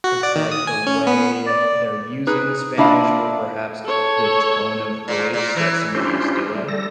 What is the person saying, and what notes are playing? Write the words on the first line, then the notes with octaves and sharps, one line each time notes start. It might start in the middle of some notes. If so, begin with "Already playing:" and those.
it's, like, the way they're using the Spanish or perhaps the tone of voice that somebody is doing.
F#4
D5
D#3
D#6
G#5
C#4
B3
D5
D#4 G#4 B4
A#3 D4 E4 F4 D#5 F5
A4 C#5
A#2
A#2
E3
C#4 D4 E4 F4 G4 C5
G3 A3
G3 A4 A#6